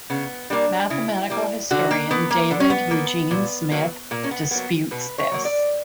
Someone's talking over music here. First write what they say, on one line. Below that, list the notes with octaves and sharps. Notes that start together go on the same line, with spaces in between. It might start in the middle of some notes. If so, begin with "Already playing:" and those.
Mathematical historian David Eugene Smith disputes this.
C#3 B3
G3 A#3 D4
C#3 E4
G3 A#3
D3 F#4
A#3
A#3 B3
A#3
D3 B3
C#4
B3
A#3
A#2
F#3 A#3
A#2 A#3
C#4
B3
F#3 A#3 B3
B2 B4
C#5
F#3 A#3
D5